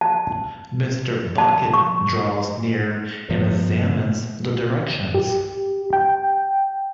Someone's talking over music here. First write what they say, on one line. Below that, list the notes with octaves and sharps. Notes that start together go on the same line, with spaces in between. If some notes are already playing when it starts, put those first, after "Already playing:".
Mr. Bucket draws near and examines the directions.
A5
A5
C#6
G2 F3 B3
G4
G5